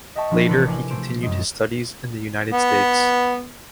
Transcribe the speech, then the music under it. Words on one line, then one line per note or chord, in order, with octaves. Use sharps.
Later he continued his studies in the United States.
D#5 E5 G5 A5 C#6
F3 D4 E4
A1 C3 A#4 B4 C7 C#7
G#5 D6
A3 C5 D7
F#2 G#3
B3